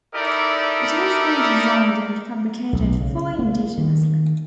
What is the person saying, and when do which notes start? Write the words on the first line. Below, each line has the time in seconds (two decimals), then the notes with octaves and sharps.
It has been designed and fabricated fully indigenously.
0.14 D#4 E4 G4 A4 A#4 D5
2.73 B1
3.01 C#3
3.39 A#3
3.78 D#3